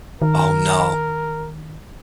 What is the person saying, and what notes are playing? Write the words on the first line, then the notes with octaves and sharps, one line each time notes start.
Oh, no.
D#3 A#4